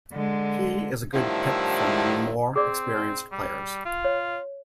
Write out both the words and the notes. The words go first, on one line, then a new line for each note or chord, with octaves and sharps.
He is a good pick for more experienced players.
D3 G#3
A2 D3 D#3 F3 G3 E4
C4 G#4 D5
G3
F4
C#5